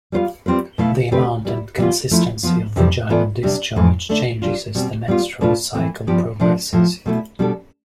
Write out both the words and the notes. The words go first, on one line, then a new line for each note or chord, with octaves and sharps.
The amount and consistency of vaginal discharge changes as the menstrual cycle progresses.
G3 B3 F4 C5 F5
G3 C4 F4 B4
B2 A3 E4 B4 F5
D3 A3 C4 G4 B4
G3 B3 E4
C3 E3 G3 B3 F4
F3 A3 E4
F3 B3 F4
F2 C3 E3 G3
E3 B3 F4 A4 D5
C3 G3 D4
F2 E3 A3
D3 A3 D4
G3 D4 F4
B2 G3 C4
G3 B3 F4
B2 A3 D4 F4 B4
E3 A3 C4
G2 F3 B3 D4 G4
C3 F3 A3 D4
A2 F3 A3
B2 A3 E4
B2 G3 D4 A4